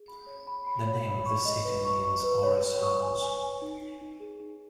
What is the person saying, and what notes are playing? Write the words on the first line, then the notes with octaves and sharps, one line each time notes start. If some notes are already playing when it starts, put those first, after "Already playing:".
The name of the city means "Oros' house".
Already playing: G#4
B5
C#5
B5
B5
C#5
B5
C#6
D#5
B4
C#6
C#6
B4
C#5
C#5
C#6
G#5
G#5
G#5
D#4
D#4
D#4
G#4
D#4